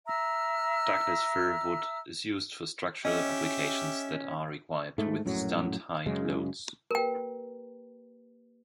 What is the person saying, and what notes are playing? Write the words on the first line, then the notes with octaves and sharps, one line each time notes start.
Douglas-fir wood is used for structural applications that are required to withstand high loads.
E5 A#5 E6 F6
C#4 G4 D#5 E5
G#2 A3
A#1 F#2 A2 F#3
F#2 C#3 G#3
A#3 G4 A#4 B4 G5